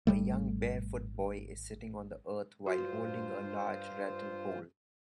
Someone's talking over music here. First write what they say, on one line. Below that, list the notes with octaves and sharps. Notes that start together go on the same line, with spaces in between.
A young barefoot boy is sitting on the earth while holding a large rattan pole.
G#1 E2 G3 A3
G2 F4 F#4 C5